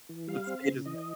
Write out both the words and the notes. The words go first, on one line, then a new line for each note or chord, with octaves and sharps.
what state is that?
E3
G3 F5
C4
C#3
E3 D#5